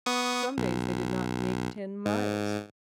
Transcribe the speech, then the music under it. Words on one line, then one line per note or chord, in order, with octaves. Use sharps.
Some days they did not make ten miles.
B3 C#6 D#6
B1
G#2